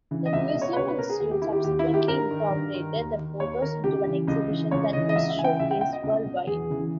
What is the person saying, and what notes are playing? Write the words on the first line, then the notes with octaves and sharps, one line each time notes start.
The Museum-Institute subsequently incorporated the photos into an exhibition that was showcased worldwide.
C#3 E3
D#5
C#2 E5
D#5
B2
C#5
B4
C#2 C#5
B4
B2 A#4
G#4
D#2 G#4
G4
D#3 E4
G4
D#2 G4
E4
D#3
G4
G2 A#4
D#3
G2
D#3
D#2
D#3
D#2 C#5
D#3 A#4
C#2 G4
C#3 E3
C#2 D#5
C#3 E3
C#2 C#5
C#3 E3 D#5
D#5
C#2 E5
E5
C#3 E3 G#5
G5
C#2 E5
G5
B2 G5
D#5
C#2
B2
E2 G#4
C#3 E3